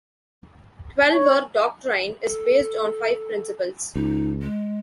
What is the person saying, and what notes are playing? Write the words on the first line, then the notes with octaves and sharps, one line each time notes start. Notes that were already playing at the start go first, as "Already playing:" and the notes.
Twelver doctrine is based on five principles.
C#5
A4
C#2 D#4
G#3